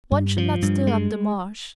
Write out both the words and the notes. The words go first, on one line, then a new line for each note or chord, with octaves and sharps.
One should not stir up the marsh.
G2
F3
G2
G#3